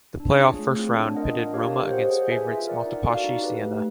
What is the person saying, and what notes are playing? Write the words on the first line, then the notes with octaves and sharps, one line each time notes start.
The playoff first round pitted Roma against favorites Montepaschi Siena.
D4
F4 G#4 C#5
A3
C4 F4
D4
F4 A#4 D#5 F#5
D4
G4 A#4 C#5 F5
G4
C5 D#5 F#5
G#4
B4 E5 G#5
F4
A#4 D5 F#5
D#4
F#4 A4 D5 F5
D#4
G4 B4
A3